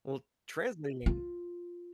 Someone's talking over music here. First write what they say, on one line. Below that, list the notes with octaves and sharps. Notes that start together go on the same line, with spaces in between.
Well, translating
F4